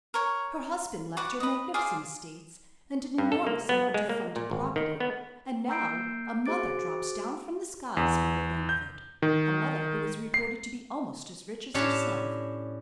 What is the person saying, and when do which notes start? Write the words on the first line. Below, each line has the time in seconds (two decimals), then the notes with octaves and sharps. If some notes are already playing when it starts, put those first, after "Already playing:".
"Her husband left her magnificent estates, and an enormous amount of funded property; and now a mother drops down from the skies for her benefit--a mother who is reported to be almost as rich as herself."
0.14 A#4 C#5
1.17 F#4 B4 D5 F#5
1.40 B4 D#5
1.74 G#4 C5 D5 F5
3.18 G2
3.32 A4
3.47 A#3
3.69 B3
3.94 G#3
4.09 A#3
4.36 A#2
4.51 G#1
4.76 D#3
5.00 B3
5.68 A#3 A#5 E6 G6 C7 D7
6.46 F#4 G#4 C5 D6 A6 D7
7.97 E2
8.69 G6
9.22 D#3
10.34 C7
11.74 A2 C#4 D4 G4 C#5 A5